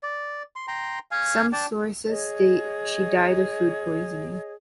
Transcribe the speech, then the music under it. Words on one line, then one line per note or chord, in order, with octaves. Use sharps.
Some sources state she died of food poisoning.
D5
C6
G5 A#5 C6
F5 G#5
D4 D5 G5 A5
G#4 C#5 D#5